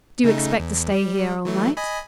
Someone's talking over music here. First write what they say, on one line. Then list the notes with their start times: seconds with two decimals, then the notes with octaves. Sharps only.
"Do you expect to stay here all night?"
0.24 C#3 A3 D#4
0.59 E2
0.92 G3
1.45 E3 F#3 A3
1.77 D#5 G#5 B5